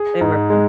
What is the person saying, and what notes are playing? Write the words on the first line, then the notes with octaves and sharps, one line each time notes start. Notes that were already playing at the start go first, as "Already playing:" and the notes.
They were fun.
Already playing: G#4
G#2
G#3